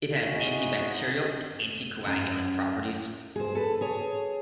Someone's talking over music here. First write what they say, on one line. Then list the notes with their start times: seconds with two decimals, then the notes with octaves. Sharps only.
It has antibacterial and anticoagulant properties.
0.22 G#3 D#4 E4 F#4
2.06 F#2
3.36 G#4 C5
3.55 A4 B4
3.81 G#4 C#5